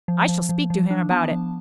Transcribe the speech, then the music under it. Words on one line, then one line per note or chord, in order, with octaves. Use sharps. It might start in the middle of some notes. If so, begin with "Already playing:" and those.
I shall speak to him about it.
F3
F3
F3
F3
D4
B3 A5
F3